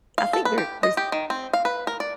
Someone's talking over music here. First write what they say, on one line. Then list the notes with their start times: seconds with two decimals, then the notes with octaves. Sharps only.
I think there those
0.18 F5
0.33 A4
0.45 B4
0.58 G4
0.83 D#5
0.97 G4
1.12 D#3
1.30 C4
1.53 F5
1.65 B4
1.87 A#4
2.00 D5